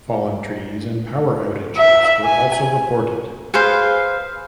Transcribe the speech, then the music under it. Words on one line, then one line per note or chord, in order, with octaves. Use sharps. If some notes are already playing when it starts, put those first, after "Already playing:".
Fallen trees and power outages were also reported.
E5
G#5
G#4 B4 C5 F5